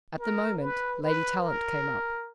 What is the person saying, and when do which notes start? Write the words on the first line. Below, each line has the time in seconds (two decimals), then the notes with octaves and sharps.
At the moment, Lady Tallant came up.
0.19 A#4
0.61 B4
1.03 B4
1.44 A#4